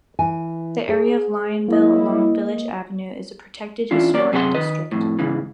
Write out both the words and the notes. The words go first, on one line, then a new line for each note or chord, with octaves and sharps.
The area of Lionville along Village Avenue is a protected historic district.
E3 G#5
G#4 C5
F#3 A#3 E4 D#5
E3 C#4 D4 F4
A#3 C#4 D5
F#2 C3 G#4 A4 F#5 C6
D#3 B4 D#5
F2 A2
G#2 C#3 E3